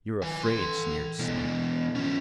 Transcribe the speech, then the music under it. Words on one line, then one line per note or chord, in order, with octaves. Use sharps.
"You're afraid," sneered Sam.
B4 G#5
A4 C6
B2 E3
F3 C#4